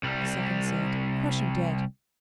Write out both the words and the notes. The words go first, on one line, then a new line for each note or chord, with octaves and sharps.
The second said, 'Crush him dead.'
C2 G3